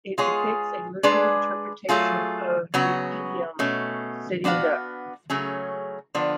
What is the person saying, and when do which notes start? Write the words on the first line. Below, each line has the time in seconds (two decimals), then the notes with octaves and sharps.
It depicts a literal interpretation of the idiom "sitting duck".
0.18 G#3 B3 F4 G#4 C#5
1.03 G#3 D4 G#4 B4 D5
1.89 F#3 A3 F4 G#4
2.74 C#3 F#3 B3 F#4
3.59 B2 A3 C#4
4.44 B3 D4 F#4 B4 F5
5.30 C#3 F#3 A3 C#4 G#4
6.15 D3 F3 B3 D4